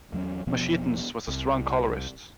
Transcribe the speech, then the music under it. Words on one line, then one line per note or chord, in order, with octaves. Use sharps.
Machetanz was a strong colorist.
E2 F#3 A3 C#4
E1 B2 F3 B3
C2